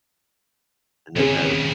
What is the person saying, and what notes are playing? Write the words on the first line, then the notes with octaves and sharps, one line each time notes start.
And, eh, that
D#2 C#3 C4 C#4 G#4